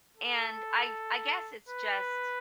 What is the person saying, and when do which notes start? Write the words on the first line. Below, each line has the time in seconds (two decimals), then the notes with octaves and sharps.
and I I guess it's just
0.17 A4
1.69 B4